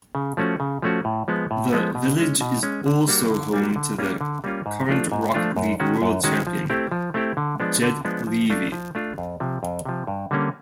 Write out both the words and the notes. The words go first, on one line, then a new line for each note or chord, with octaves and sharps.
The village is also home to the current Rocket League World Champion, Jed Levy.
C#3
F3 A3 C#4 F#4
C#3
F3 A3 C#4 F#4
A2
F3 G#3 B3
A2
F3 G#3 B3
B2
G#3 C#4
B2
G#3 C#4
D3
G3 A#3 D4 F#4
D3
G3 A#3 D4 F#4
D3
G3 A#3 C#4 F4
D3
G3 A#3 C#4 F4
G#2
F3 A3 D4 F4
G#2
F3 A3 D4 F4
F#2
D#3 G#3 C#4 F#4
F#2
D#3 G#3 C#4 F#4
F3
A3 C4 E4 G4
F3
A3 C4 E4 G4
D3
F3 G#3 B3 D4
D3
F3 G#3 B3 D4
F3
A3 D4 F4
F3
A3 D4 F4
F2
C3 F3
F2
C3 F3
G2
D3 G3 A#3 C#4